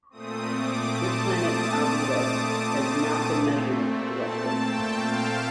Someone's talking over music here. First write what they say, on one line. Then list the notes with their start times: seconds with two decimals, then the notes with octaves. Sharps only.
This planet's albedo has not been measured directly.
0.10 A#2 A3 C4 D#6
0.51 D6
0.91 A5
1.32 D#6
1.73 D6
2.12 D6
2.53 A5
3.35 A#2 A3 C4
4.15 A5
4.56 G5
4.96 F5